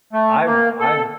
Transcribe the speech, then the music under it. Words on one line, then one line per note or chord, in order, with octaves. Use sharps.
I ru I've
A3
A#3
A4